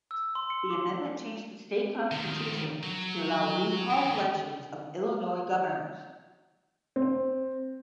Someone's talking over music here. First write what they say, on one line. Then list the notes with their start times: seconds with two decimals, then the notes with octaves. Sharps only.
The amendment changed the state constitution to allow recall elections of Illinois governors.
0.11 E6
0.35 C6
0.50 C#7
0.71 D6
2.11 D#3 F3
2.83 F#3
3.90 E3 F#3
6.96 C4